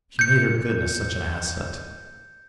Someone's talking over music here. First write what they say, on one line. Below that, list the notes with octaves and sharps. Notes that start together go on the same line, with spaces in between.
She made her goodness such an asset.
G6 C#7